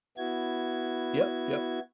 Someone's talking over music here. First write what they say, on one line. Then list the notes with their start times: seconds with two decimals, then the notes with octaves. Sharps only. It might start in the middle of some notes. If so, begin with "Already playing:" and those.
Yep, yep.
0.17 B3 E4 F#4 G#6